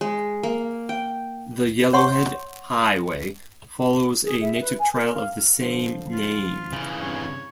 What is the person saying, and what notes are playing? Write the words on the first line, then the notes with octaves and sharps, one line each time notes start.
The Yellowhead Highway follows a native trail of the same name.
G#3
A#3
G5
C#5 F#5 C6 C#6
G#4
E5
B4
G#5
A#4
F5
D3 F3 C5
F4
C#3 E3
G2 C3 C#5